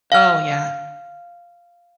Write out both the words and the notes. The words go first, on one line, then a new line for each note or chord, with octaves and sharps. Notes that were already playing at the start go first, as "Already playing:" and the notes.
Oh, yeah.
F5 F6